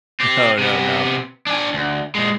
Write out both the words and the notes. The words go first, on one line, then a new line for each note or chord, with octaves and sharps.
no, no, no.
C4 G4
C3 B3
D4 G#5
D2
A#2 G#3